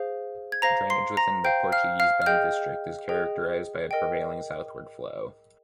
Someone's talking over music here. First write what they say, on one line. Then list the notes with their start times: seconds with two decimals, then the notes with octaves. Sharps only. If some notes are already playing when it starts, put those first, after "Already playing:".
Drainage within the Portuguese Bend district is characterized by a prevailing southward flow.
Already playing: G#4 C5 F5
0.52 G#6
0.62 C5 F5 A#5 A#6
0.90 C6 C7
1.17 A#5 A#6
1.44 C5 F5 G5 G6
1.72 F5 F6
2.00 F5 F6
2.22 F6
2.26 G#4 D#5 G5 G6
3.09 G#4 D#5 G5
3.91 A#4 D#5 G5